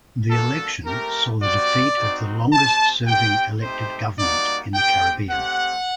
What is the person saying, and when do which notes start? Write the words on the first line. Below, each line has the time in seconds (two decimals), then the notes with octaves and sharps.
The election saw the defeat of the longest-serving elected government in the Caribbean.
0.29 A#3 D4 F#4 A4
0.85 A3 C4 G4 A#4
1.40 G3 C4 F#4 D5
1.96 C4 D#4 F#4
2.52 C4 G4 A5
3.07 C4 G4 G5
3.62 A3 C4 D#4 G4 C5
4.18 G3 A#3 D#4 F#4 D5
4.74 C4 G4 G5
5.29 A3 C4 G4 F#5